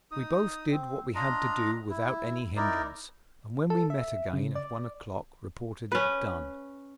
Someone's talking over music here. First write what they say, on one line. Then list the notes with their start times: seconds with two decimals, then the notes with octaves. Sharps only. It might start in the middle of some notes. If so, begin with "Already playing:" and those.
We both did what we had to do without any hindrance, and when we met again at one o'clock reported it done.
0.11 D#4 D#6
0.71 C4
1.15 D4 F4 D#5 A#5
1.89 E4
2.56 D#4 E4 A#4 D5
3.70 A4
3.90 E5
4.33 C#3
4.55 D5
5.92 C#4 B4